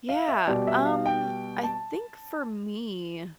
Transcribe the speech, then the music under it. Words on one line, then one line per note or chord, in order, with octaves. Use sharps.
Yeah. Um, I think for me
F5
E5
B2 G3 D5
E5
F5
G5
A5